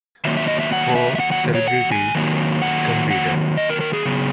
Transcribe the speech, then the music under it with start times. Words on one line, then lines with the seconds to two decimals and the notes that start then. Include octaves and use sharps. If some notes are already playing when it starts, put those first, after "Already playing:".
Four celebrities competed.
0.25 D#3 F#3 A#3 E5
0.37 E5
0.48 D#5
0.60 E5
0.72 F#5
0.96 E5
1.16 E5
1.20 F#5
1.32 F#5
1.55 C#5
1.68 F#5
1.92 G#5
2.15 D#3 F#3 A#3
2.62 F#5
3.10 F#5
3.57 D#5
3.70 A#4
3.81 A#4
3.93 G#4
4.05 C#3 F#3 B3